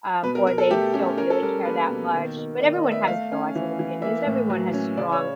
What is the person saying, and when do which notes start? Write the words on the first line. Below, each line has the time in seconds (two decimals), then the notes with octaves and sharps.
um, or they don't really care that much, but everyone has thoughts and opinions, everyone has strong,
0.23 B2 B4
0.35 A#4
0.47 B2 A#4
0.58 A4
0.70 A3 G4
0.94 C#4 G4
1.18 C#4 A#4
1.30 A4
1.42 G3 A#4
1.65 A#3 B4
1.88 B2
2.13 D#3
2.37 D#3
2.60 D#3 D5
2.76 D#5
2.84 B3
2.92 E5
3.08 A3 F5
3.32 C#4
3.55 E3
3.79 E3
4.02 A#3 E5
4.26 A2
4.50 F#3
4.73 C#4
4.97 C#3 D5
5.12 C#5